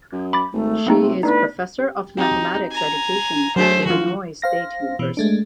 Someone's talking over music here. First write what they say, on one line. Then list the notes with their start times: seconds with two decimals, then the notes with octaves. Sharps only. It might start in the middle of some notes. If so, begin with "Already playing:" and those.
She is professor of mathematics education at Illinois State University.
0.12 F#2
0.33 B5 D6 A6
0.53 G#1 A3
0.87 F#1 A#3 C4 D#4
1.02 C3
1.23 A2 B3 D4 D#4 B4 D5
1.79 G4
2.17 C4 D#4 F#4 G4
2.71 G#5 A#5
3.56 F#3 A3 D4 G#4 C5
3.86 E3 F3 F4 F#4
4.42 C5 F5 A#6
4.99 B2 E3
5.17 G#3 A3 D4